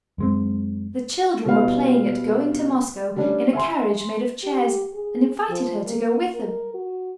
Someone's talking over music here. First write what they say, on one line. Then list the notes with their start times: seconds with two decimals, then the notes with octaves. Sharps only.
The children were playing at "going to Moscow" in a carriage made of chairs and invited her to go with them.
0.18 F#2 G#3 C4
1.45 B2 G3 E4 B4 F5
3.16 G3 A3 C#4 D4
3.53 E5 G#5 C6
4.43 G4
4.94 G#4
5.50 F3
5.85 A#3
6.34 A#4
6.74 F#4